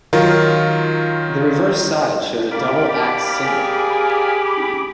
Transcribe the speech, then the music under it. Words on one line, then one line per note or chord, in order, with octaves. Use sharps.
The reverse side shows a double-axe symbol.
D#3 F#3 F4 A#4
G4 A#4 D5 F5 B5 D6
G#4